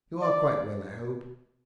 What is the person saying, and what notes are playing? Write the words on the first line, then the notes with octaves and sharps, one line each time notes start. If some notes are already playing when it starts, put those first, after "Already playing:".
You are quite well, I hope?
D5